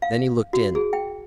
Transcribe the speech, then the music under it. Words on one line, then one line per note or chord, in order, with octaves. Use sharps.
Then he looked in.
F5
F#4
G#4
G5